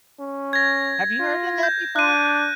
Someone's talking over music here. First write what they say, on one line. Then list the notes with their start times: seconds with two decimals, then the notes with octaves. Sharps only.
Have you heard of that before?
0.20 C#4
0.53 G#6 A#6
1.20 F4
1.63 G6
1.96 D4 F#6 D#7